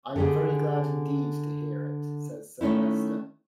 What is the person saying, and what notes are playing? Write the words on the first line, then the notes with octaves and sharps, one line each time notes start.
"I am very glad indeed to hear it," says Sir Leicester.
D3 G4 G#4
D#3 A3 C#4 D#4 E4